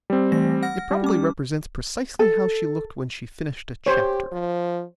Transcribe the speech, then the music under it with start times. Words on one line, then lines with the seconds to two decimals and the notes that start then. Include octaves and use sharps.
It probably represents precisely how she looked when she finished a chapter.
0.10 G3 C4
0.32 E3 A3 A#6
0.63 F#5 F6 A#6
0.91 G3
1.04 C#4 D6
2.19 A4
3.86 G4 C5 C#5
4.32 F3